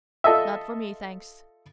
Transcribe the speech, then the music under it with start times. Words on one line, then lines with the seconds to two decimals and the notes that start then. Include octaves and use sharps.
Not for me thanks.
0.24 F4 A4 D#5 E5